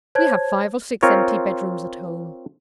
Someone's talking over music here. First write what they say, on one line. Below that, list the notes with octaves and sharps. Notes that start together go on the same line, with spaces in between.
We have five or six empty bed-rooms at home.'
C5 C#5 A5 G#6
C4 F4 A#4 C#5